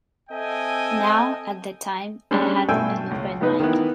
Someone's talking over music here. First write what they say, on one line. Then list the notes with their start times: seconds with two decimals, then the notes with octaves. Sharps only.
Now at the time I had an open mind.
0.30 C4 A4 D#5 E5 G5 G#5
2.31 G3 G#3 C#4 D4
2.69 G2 B2 A3 G5 G#5 E6
3.11 C#2
3.41 C#2 B3 D#4 B4
3.60 D#3 E3 B3